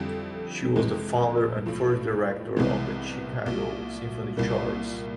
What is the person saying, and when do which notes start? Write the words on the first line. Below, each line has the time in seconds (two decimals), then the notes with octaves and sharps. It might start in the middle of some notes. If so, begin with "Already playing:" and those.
She was the founder and first director of the Chicago Symphony Chorus.
Already playing: F2 D3 G3 C4 E4
0.76 F2 C3 E3 G#3
1.66 B1 A2 F3
2.57 C2 C3 E3 G#3 B3
3.46 C2 A#2 F#3
4.37 C2 A#2 G3 A#3